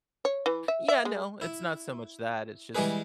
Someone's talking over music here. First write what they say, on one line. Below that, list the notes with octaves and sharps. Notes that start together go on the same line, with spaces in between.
Yeah, no. It's not so much that. It's just
C#5
E3
E5
E5
G#3
E4
E3 G3 G#3 G#4 B4